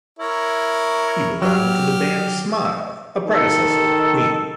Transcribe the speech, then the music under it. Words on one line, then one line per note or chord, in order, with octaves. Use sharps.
He belonged to the band Smile, a predecessor of Queen.
E4 A#4 C#5
F#3 G4 F6
D#3 A4